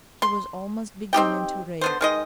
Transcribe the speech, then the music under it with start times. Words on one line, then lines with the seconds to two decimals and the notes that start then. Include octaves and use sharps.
He was almost beginning to rave....
0.22 C6
1.13 C4 D#4 G4 G5
1.81 D3 B3 C5
2.01 D#3 G#3 D#5